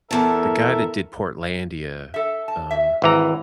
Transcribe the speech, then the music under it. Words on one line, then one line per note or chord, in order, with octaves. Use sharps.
the guy that did Portlandia, um
E2 A4 A#4 E5 A5
A4 E5
A5
E5
G#1 E3 A#5